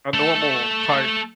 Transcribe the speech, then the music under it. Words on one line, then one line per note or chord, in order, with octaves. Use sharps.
a normal type,
A3 A4